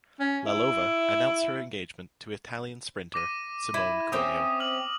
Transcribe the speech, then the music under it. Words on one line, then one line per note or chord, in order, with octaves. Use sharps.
Lalova announced her engagement to Italian sprinter Simone Collio.
C#4
E4
D6 A#6 D#7
E4
C4 C#4 E5 D6 D#6
D#6 F6 F#7